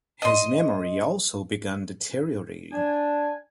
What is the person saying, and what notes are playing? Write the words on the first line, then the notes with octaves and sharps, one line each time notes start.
His memory also began deteriorating.
D#5 C6
D4 G#5